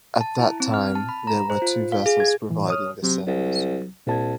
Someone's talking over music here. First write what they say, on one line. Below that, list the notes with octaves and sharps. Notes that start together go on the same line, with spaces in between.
At that time, there were two vessels providing the service.
A5
E4
C4
F6
A5
B5
A#5
C5
F4
F5
G#4
G#6
A2 E3
C#5 D#6 F6
C3 F#3
C2
C2 A#2 A5 G#6